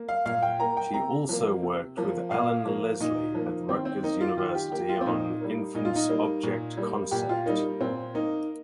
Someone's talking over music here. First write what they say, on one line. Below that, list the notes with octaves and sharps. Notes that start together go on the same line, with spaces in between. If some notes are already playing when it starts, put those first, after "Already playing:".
She also worked with Alan Leslie at Rutgers University on infants’ object concept.
Already playing: A#3
F5
A#2 F5
G5
A#3 A#5
G5
C3 A#5
F3 A#3
C3
F3 A#3
A#2 F5
F3 A#3
A#2 D#4
F3 A#3
D#3 C4
C4
A#3 D#4
F4
D#3 F4
G4
A#3 G4
F4
C4
A#2 D#4
G3 A#3
A#2 D#4
F4
D#4
G3 A#3
A#2
G3 A#3
A#2 G4
F4
G3 A#3 D#4
A#2 C4
A#3 D#4